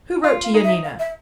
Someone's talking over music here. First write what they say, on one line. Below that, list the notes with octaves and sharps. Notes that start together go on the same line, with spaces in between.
"Who wrote to Yanina?"
F4 F5
F5
D#4
E5
F5
E5